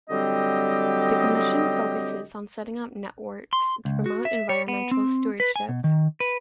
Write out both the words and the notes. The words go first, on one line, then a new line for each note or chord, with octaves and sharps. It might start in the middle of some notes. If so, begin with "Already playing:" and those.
The commission focuses on setting up networks to promote environmental stewardship.
D3 F#3 G3 C4 G4 D#5
C6
C#2
F#4
E5
C#5
B3
C4
B4
G#5
B2
D#3
B4